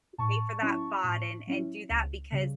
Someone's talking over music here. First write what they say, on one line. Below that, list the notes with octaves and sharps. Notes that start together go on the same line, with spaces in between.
pay for that bot and and do that because
A2 A5 C#6
F#3 C#4 E4
A2
F#3 C#4 E4
C#2
C#3 G3